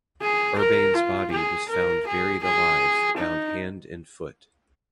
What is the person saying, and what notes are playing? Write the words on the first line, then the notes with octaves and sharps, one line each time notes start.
Urbain's body was found buried alive, bound hand and foot.
G#4
A#4
F4
G#4
A#4
G#4
G#4
D#4